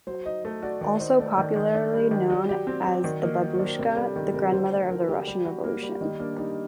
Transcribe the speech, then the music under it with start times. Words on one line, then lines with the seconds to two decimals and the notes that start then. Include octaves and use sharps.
Also popularly known as known as Babushka, the grandmother of the Russian Revolution.
0.07 F#3 C5
0.25 D#4 D#5
0.44 A3 D#5
0.62 F#4 D5
0.81 D#3 D5
1.00 D#4 C5
1.19 A3 D5
1.37 D#3 D5
1.56 D#3
1.75 D4
1.93 G3
2.11 D#3
2.30 F#3 D5
2.49 G4 D5
2.67 C4 D5
2.85 F#3 C5
3.04 D#3 D5
3.22 A#3 D#5
3.42 F#3
3.54 C5
3.59 D4
3.66 A#4
3.79 C3 A#4
3.96 G3 A4
4.16 D#3 A#4
4.26 A4
4.34 C3 A#4
4.52 D3 C5
4.71 A3
4.90 F#3 A#4
5.08 D3 G4
5.27 G3
5.45 F#4
5.64 A#3
5.83 G3
6.01 D#3 D#4
6.20 A#3 D4
6.38 G3 D#4